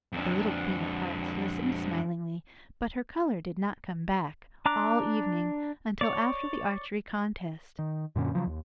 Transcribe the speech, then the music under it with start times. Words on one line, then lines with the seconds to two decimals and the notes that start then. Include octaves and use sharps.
The little Queen of Hearts listened smilingly, but her colour did not come back all evening, until after the archery contest.
0.13 F2 D4
4.66 D4 A#5 D6 F#6
6.01 C#5 D5
7.79 D#3
8.16 F#2 A#2 D3 C#4
8.33 C#3 F3 F#3
8.47 D#2